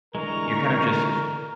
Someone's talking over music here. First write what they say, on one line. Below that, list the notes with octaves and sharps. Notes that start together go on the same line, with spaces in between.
you're kind of just
D3 E3 G#3 A#4 A#5 C#6